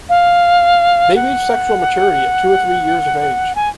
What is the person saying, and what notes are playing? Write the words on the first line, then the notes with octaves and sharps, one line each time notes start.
They reach sexual maturity at two or three years of age.
F5
F#5
G#5